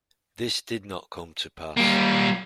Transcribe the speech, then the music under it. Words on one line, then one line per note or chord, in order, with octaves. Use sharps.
This did not come to pass.
G3 A#3